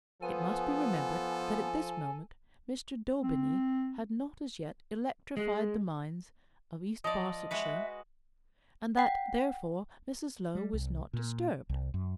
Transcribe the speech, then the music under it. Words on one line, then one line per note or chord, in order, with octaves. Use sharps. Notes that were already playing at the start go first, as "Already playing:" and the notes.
It must be remembered that at this moment Mr. Daubeny had not as yet electrified the minds of East Barsetshire, and that, therefore, Mrs. Low was not disturbed.
F3 B3 A4 G#5
C4
G#3
F3 D5 D#5
G#3 F#4 B4 E5
F#5 G5
G3
C2
A#2
C2
F#2